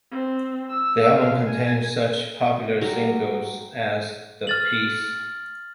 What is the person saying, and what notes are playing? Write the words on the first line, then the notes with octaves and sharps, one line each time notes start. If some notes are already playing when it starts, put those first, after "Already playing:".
The album contained such popular singles as The Peace!
C4
E6
F5
G#5
F#3 G3 A#4 A#5
F6 A6 F#7